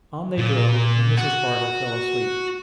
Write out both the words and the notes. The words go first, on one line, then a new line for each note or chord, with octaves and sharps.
On they drove, and Mrs. Bardell fell asleep.
A#2
F#4